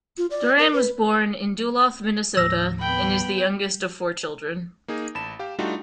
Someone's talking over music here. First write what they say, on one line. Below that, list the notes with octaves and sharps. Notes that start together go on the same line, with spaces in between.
Doran was born in Duluth, Minnesota and is the youngest of four children.
F4
D5
A#4
B4
D#2 A2 F3 E6 A#6
B3 G5 B5
A#3 D#4 G#4
A1 A5 B5 E7
G4 F5 G5
G3 A3 D4 D#4 F4 F#4